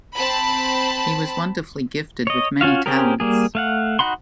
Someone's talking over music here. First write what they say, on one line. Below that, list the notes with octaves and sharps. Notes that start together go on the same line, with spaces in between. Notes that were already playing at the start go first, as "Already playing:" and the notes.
He was wonderfully gifted with many talents.
C4 A5 B5
C#5 D#5
C#4 F4 F#4 F5
C4 C#4 G4 G#4 A#4
G3 A#3 G#4
A3 F5 F#5
D#4 F#4 F#5 B5 C6